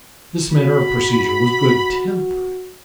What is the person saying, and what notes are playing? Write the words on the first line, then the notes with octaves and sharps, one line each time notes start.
This manner of procedure was good-tempered.
F#4 B5